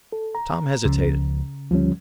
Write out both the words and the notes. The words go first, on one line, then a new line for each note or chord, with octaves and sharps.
Tom hesitated.
A4
A#5
C#2 C#3 F3
D2 F3 G3 C#4